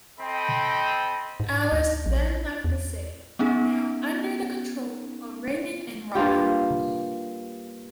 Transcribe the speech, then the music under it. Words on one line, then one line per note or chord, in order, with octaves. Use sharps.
Alice then left the city, now under the control of Raymond and Ralph.
C4 A4 D#5 G5 B5
G#2
D2
A#1
E2
B3 C#4 D#4 G#4
G2 A#3 F4 G4